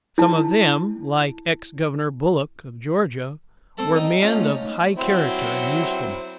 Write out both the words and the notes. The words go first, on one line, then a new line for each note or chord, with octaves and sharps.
Some of them, like ex-Governor Bullock, of Georgia, were men of high character and usefulness.
E4 A5
C4 A4 A5
D#4 D#5 G5
C#4 F4 G5 A5
A3 C4 D#4
F#3 C4 E4